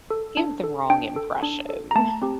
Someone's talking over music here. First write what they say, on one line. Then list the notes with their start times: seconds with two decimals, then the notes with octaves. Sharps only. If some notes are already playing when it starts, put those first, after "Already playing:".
give the wrong impression.
0.11 A4
0.37 D4
0.64 A4
0.90 D4 G5
1.16 A4
1.43 D4
1.69 A4
1.91 A#5
1.95 A3 A5
2.22 C4 G4